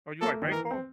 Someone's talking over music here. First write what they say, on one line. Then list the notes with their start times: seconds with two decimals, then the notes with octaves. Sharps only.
Oh, you like baseball?
0.22 A#3 A4
0.32 A3
0.42 D#3
0.51 E3 A#4
0.71 C4